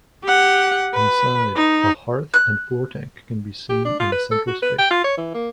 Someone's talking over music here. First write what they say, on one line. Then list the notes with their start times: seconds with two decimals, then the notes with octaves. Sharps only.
Inside a hearth and floor tank can be seen in the central space.
0.24 G4 F#5
0.94 B4
1.55 D#4
2.34 F#6
3.69 G4
3.85 D4
3.99 F4
4.12 B4
4.31 A4
4.47 F#4
4.62 B4
4.78 G5
4.90 F4
5.04 C#5
5.18 E3
5.34 A#3